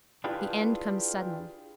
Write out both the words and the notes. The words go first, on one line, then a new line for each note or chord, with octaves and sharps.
The end comes suddenly.
D4 E4 F4 G4 G#4 B4